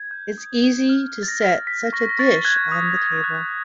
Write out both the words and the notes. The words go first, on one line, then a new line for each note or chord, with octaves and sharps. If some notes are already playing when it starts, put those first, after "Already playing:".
It is easy to set such a dish on the table.
Already playing: G#6
G6
D#6
D#6
F6
F6
A6
A#6
F6
F6 B6
C#6 A#6
A#6
C#6 A6
F#6 G#6
D#6
D#6
F#6